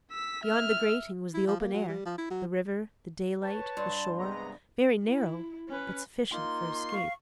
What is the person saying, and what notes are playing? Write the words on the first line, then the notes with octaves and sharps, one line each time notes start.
Beyond the grating was the open air, the river, the daylight, the shore, very narrow but sufficient for escape.
E6 B6
E5 F6
E4
F3
A#3
F#3
G3
F3
E4
F#3
B4 C#5 A5
G2 C6
C3 G#3 B3 A#5
E4
C#4 B4
A#3 D#4 F4 C6
F5 C#6